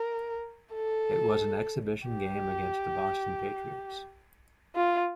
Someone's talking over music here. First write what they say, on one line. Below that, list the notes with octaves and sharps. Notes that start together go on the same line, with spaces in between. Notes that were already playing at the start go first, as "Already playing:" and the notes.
It was an exhibition game against the Boston Patriots.
Already playing: A#4
A4
G4
F4